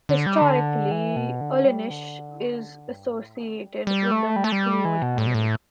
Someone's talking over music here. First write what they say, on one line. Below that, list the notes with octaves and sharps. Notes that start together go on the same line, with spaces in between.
Historically, Ullinish is associated with the MacLeod family.
D3
G3
D3
E3
B2
D3
G3
D3
G2
A2
D3
G3
G3
A3
G3
A3
G3
E3
B2
A2
B2
A2